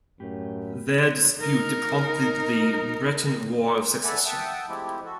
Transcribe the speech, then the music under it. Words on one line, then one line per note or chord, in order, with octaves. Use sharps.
Their dispute prompted the Breton War of Succession.
F#2 A2 G4
D#4 A#4
A4 B4 D5 E5 F#5 G#5
E5 F#5 G5 A5 D#6
F3 G#3 A3 C4 E4 G4
F#4 A4